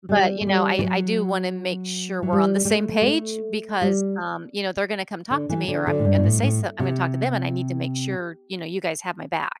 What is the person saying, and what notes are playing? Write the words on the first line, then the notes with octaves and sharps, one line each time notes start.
But, you know, I I do wanna make sure we're on the same page because, um, you know, they're gonna come talk to me or I'm gonna say so I'm gonna talk to them and I need to make sure, you know, you guys have my back."
G3
A3
G3
E3
F#3
F#3
G3
G3
A3
G3
A3
G3
D3
E3
D3
D3
A2
G2
B2
A2
A2
C3